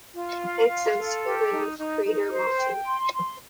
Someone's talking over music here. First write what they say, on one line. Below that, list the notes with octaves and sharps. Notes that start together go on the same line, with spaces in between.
It extends to the rim of the crater Moulton.
F4
F5
F4
A4
G4
D#4
D#4
D#4
C5
G5
C6
C6